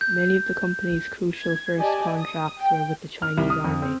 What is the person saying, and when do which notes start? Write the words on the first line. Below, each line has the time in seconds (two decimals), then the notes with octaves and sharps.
Many of the company’s crucial first contracts were with the Chinese army.
0.01 G6
1.39 G#6
1.79 G4 D5 D#5 G#5 A5
2.20 D#6
2.60 G5
3.22 F6
3.38 C2
3.50 D#6
3.64 F2
3.82 C4